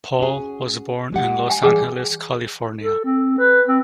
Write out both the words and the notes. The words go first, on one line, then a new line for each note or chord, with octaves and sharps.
Paul was born in Los Angeles, California.
C#4 F#4 G#4
G#3 G4 F#5
G5 G#5
E3 G3 G#4 G5
A4
C4
B4
C4